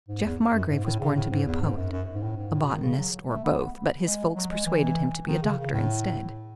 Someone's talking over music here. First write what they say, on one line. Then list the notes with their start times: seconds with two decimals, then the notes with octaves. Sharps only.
Jeff Margrave was born to be a poet, a botanist--or both--but his folks persuaded him to be a doctor instead.
0.09 G#2
0.24 E2
0.54 F#2
0.70 G#2
0.84 A2
1.00 C#3
1.16 A2
1.31 G#2
1.46 E2
1.61 G#2
1.76 F#2
1.91 F#2
2.15 G#2
2.23 A2
2.37 G#2
2.53 A2
2.63 B2
2.73 D#3
2.83 C#3
2.99 F#3
3.29 A3
3.44 B3
3.59 B3
4.05 G#3
4.36 F#3
4.51 G#3
4.66 E3
5.27 D#3
5.42 C#3
5.58 C#3
5.73 A2